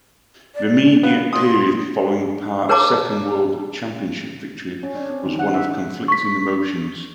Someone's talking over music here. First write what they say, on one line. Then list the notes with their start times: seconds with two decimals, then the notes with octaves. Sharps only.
The immediate period following Part's second world championship victory was one of conflicting emotions.
0.55 D5
1.03 B3 F5
1.33 C6 D#6
2.69 G#4 A#4 C#5 A5 A#5 D6
4.83 C#4
4.95 D4
5.10 C4
5.25 D#3
5.39 F#5
5.54 E5
6.08 C#6 B6